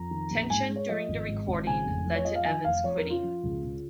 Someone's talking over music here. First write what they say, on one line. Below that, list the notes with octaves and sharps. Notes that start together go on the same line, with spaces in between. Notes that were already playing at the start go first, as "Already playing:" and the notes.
Tension during the recording led to Evans quitting.
Already playing: F2 A#5
D#3
A#1
G#2 G#5
G#3
C#5
F3 D#5
G#1
G#2
G#1
C#3 G#5
F1
F2
C#5
F3 D#5
F5
D#3 G#5
F1 F5
F2 C#5
A#4
C#4
F4
F3
C#2
C#3